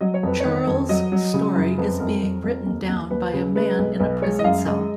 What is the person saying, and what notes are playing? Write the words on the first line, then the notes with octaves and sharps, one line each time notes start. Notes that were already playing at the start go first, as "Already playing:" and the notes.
Charles' story is being written down by a man in a prison cell.
F#3 D#5
C#5
F2 B4
D#3 C#5
F2
F#3 D#5
F#3
C#3
F#2
F2 B4
F2 A#4
F2
F2
D#2
D#2
D#2 B4
C#3
G#3 B4
B1
B1 B4
G#3 C#5
D#5
F#2 F5
G#3 D#5